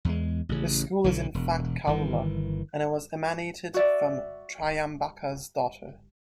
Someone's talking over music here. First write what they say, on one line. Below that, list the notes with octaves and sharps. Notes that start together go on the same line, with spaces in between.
This school is in fact Kaula, and it was emanated from "Trayambaka"'s daughter.
E2 G#3
A1 C#3
B1 D3 E3 F#3
E1
G1 D#3 E3
F#4 D5 E5